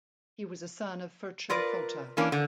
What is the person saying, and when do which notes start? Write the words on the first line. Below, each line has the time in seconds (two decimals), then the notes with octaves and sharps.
He was a son of Ferchar Fota.
1.50 F4 A#4 B4 D5
2.17 E3 A#3 C#4 D4
2.32 D3